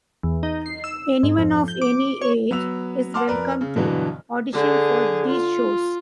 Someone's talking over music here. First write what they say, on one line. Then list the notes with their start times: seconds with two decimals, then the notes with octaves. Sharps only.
Anyone of any age is welcome to audition for these shows.
0.23 E2
0.43 D#4
0.66 C7
0.84 E6
1.23 G#2
1.38 F2
1.68 G6
1.82 D6
2.21 C#5
2.51 F#3 B3 E6 F7
3.14 F#5 A5 C6 D6 F6
3.28 F2 A#4 B4 D5
3.61 C#3
3.76 G2 B2 D3 E3 F#3
4.53 D3 G#4
5.26 F4